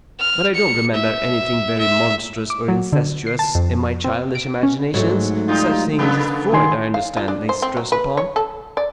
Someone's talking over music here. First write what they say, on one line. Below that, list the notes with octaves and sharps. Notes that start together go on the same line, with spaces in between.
But I don't remember anything very monstrous or incestuous in my childish imaginations,--such things as Freud, I understand, lays stress upon.
F6
C#7
E5
E5
D6
F#3
D3
C7
A5
F2
C4
D7
C#4
G#2 F#3 A3
G3 D#4 F4
C#3 A#3 B3
D#3 G#5 C6
F5
F4
D4
C5
C4
F#3
B4
C#5
A4
D5